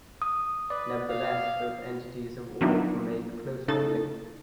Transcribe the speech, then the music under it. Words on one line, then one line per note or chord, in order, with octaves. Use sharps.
Nevertheless, both entities have always remained closely linked.
D#6
B4 D5
F5
D#3 F3 F#3 B3 D4 E4
C#3 D#4 A4 A6